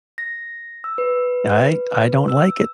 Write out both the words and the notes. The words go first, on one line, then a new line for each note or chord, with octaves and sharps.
I I don't like it.
A#6
E6
B4
E6